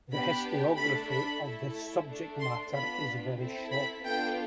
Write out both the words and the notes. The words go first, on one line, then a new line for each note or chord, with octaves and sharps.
The historiography of this subject matter is very short.
B3 D4 G4 B5
A3 D4 A4 B5
B5
A3 E4 A4
A3 D4 A4
C6
B3 D4 F4 B5
C4 E4 A4
B5
B3 D4 F4 A4 G5